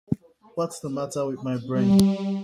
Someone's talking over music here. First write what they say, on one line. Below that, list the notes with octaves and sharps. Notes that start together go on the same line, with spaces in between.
What's the matter with my brain?
G3